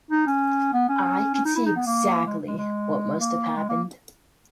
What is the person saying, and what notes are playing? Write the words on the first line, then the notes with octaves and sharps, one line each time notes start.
I could see exactly what must have happened.
D#4
C#4
B3
C#4
C#4
D#4
E4
D#4
B3
A#3
G#3
G#3
G#3
A#3
G#3
A#3